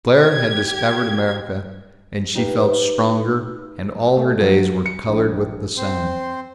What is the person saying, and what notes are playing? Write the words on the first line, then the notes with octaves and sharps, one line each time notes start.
Claire had discovered America, and she felt stronger, and all her days were colored with the sun.
G4 G#6
D#4 G4 B4 F5
A3
F#3
C#7
A#1
C4 C5 C6